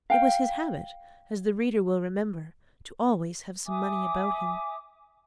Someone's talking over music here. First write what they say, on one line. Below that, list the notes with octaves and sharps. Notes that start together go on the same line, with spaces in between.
It was his habit, as the reader will remember, to always have some money about him.
F5 G5
E5 G#5 D6 D#6